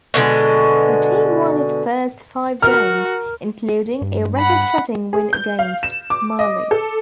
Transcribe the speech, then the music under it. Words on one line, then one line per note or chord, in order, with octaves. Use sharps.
The team won its first five games, including a record-setting win against Mali.
B2 D3 F3 G#3
F#4 A#4 F6
G2
F#5 B5
G#4
G6
F5
E7
D6
D#5
A4